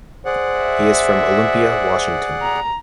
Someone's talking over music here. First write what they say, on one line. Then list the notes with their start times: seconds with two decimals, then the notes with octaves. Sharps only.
He is from Olympia, Washington.
0.26 G#4 C5 D5 F#5
0.60 E5
2.42 A#5